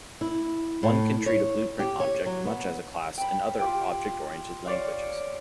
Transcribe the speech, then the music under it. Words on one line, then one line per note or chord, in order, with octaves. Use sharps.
One can treat a blueprint object much as a class in other object-oriented languages.
E4
A2
C#5
G4
C#5
F#3
B3
G5 B5
F4 G4 G5
C#5 D5 F5